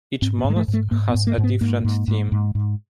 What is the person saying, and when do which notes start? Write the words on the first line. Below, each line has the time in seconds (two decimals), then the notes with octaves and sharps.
Each month has a different theme.
0.22 G#2 C4
0.39 B3
0.45 G#2
0.50 G#3
0.56 A3
0.68 G#2
0.73 A3
0.91 G#2 A#3
1.09 B3
1.14 G#2
1.27 A#3
1.38 G#2
1.44 B3
1.61 G#2 A#3
1.84 G#2
2.08 G#2
2.32 G#2
2.55 G#2